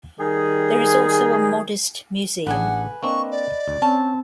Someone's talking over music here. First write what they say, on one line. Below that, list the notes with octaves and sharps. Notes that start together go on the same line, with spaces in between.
There is also a modest museum.
D#3 G3 G#4
A1 D4 G#4 B4 F#5 G#5
A#3 C4 D4 D#5 C#6
D5
D2
C4 C#4 A5